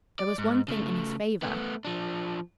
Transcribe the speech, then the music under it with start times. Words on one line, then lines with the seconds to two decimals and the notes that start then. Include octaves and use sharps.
There was one thing in his favour.
0.19 D5
0.38 G#2
0.68 C#3 A3
1.42 A3 B3
1.85 F3 D4